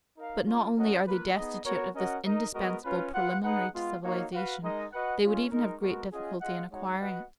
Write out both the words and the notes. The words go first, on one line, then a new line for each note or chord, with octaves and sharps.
But not only are they destitute of this indispensable preliminary to civilization, they would even have great difficulty in acquiring it.
D#4 A#4 F5
G#3 C#4 F4
C#4 F#4 A#4 D#5 F#5
A#3 F4 B4
B3 D#4 G#4 D#5
B3 F#4 A#4 C#5
C#4 F#4 A#4 D#5 F#5
D#4 A#4 D#5
G#3 B3 F#4 A#4 D#5
C#4 F4 B4
F4 B4 F#5
D#4 G#4 B4 F#5
G#3 B3 F4
A#3 D#4 F#4 C#5 F5
F#4 B4 F5
G#3 D#4 A#4 D#5
F#4 B4 D#5 F#5
G#3 C#4 F4 G#4
G#3 D#4 A#4
G#3 B3 F#4 A#4
C#4 F4 G#4 D#5 F#5
F4 G#4 D#5 F#5
G#3 D#4 F#4 C#5 F#5
F#4 B4 D#5 F#5